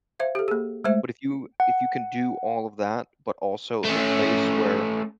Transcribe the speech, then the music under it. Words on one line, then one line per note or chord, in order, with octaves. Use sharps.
but if you if you can do all of that, but also in a place where
C5 E5 F5
G4 A4
A#3 G#4
G#3 A3 C5 E5
F#5
A3 C#4